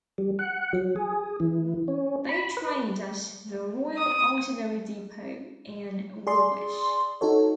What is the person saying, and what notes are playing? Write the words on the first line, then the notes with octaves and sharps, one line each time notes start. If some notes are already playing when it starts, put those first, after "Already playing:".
They trained at the Royal Artillery Depot in Woolwich.
G3
F#5
F#3
G#4
E3
C#4
B5
B4
D#6
G#4 D5 C6
D#4 F#4 A4 C#5